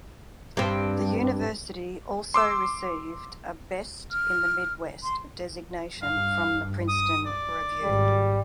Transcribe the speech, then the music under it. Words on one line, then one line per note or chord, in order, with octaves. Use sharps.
The university also received a 'Best in the Midwest' designation from the Princeton Review.
G2 C4
C6 D6 E6
F6
C6
G2 F5
D#6
D5
G#1 G3